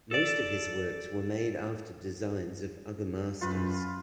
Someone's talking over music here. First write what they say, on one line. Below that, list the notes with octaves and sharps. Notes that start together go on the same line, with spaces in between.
Most of his works were made after designs of other masters.
A4 D5
F#2 F4 B4